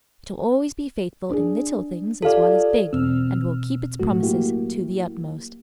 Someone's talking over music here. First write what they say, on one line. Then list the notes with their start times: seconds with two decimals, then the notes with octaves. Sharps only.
It will always be faithful in little things as well as big, and will keep its promises to the utmost.
1.29 D4 G#4
2.22 F4 G4 A4 D5 F5
2.92 E2 B2 C4 E6 F6
4.00 A2 F#3 A3 F#4
4.22 A#3 E4 G4